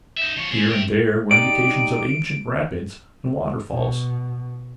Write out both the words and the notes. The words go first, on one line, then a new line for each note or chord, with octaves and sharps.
Here and there were indications of ancient rapids and waterfalls.
D#4 E5
F3 C#5
C4 G#4
E5 G5
D#4 G4 D5 D7
B2